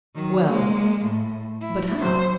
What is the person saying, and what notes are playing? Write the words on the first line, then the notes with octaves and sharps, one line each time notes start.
"Well; but how?"
D#3 F#3
G#3 A#3
A2
E4
F#3 C5